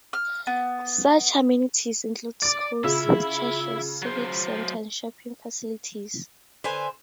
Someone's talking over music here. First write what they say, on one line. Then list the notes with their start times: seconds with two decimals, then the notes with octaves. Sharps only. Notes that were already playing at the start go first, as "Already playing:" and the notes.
Such amenities include schools, churches, civic centre and shopping facilities.
0.13 F6
0.47 B3
2.42 D5 D6 A6
2.84 C#3 E4 F4 E5 E6
4.02 F#3 C5
6.64 D3 B4 C5 G#5